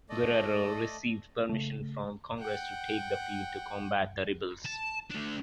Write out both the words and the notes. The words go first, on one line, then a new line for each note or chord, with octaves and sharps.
Guerrero received permission from Congress to take the field to combat the rebels.
A3 A4 D5 D#5
C#3 A3
F#5 G5
A5
A3 D4